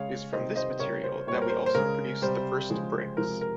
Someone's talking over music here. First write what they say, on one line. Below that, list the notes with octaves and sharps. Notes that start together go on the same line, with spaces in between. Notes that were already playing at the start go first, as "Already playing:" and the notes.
It is from this material that we also produce the first bricks.
Already playing: C#3 G#3 C#5 F5
C3 D#3 G3 C5 D#5
C5 D#5
C#3 G3 A#4 C#5
C5
A#2 G3 C5 C#5
A#4
C5
C5
C#3 G#3 A#4
C3 G3 C5
C#3 F3 G#3
C3 F3 G#3 A#4
A#4